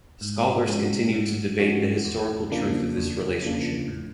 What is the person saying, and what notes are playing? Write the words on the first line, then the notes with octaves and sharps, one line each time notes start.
Scholars continue to debate the historical truth of this relationship.
G#2
F3 G#3 C#4 F#4
G#2
F3 G#3 C#4 F#4
E2
C#3 F3 A#3 D4
E2
C#3 F3 A#3 D4
A2